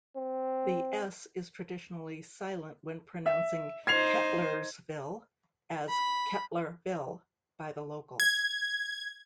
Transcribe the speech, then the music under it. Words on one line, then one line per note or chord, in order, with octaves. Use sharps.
The "s" is traditionally silent when pronouncing Kettlersville as "Kettler-ville" by the locals.
C4
E5
D#4 C5 G#6 C7 F7
B5
G#6